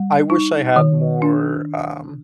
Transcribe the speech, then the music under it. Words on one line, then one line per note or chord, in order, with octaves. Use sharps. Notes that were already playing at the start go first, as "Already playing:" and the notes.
I wish I had more, um
Already playing: G3
D#4
D#3
D4